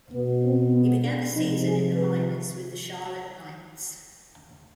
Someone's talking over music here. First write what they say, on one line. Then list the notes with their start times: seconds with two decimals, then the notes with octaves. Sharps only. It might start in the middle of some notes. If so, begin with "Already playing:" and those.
He began the season in the minors with the Charlotte Knights.
0.12 B2 B3
0.44 C4
0.73 B3
1.04 D4
1.34 C3 F3 D#4
1.65 G#4
1.95 B4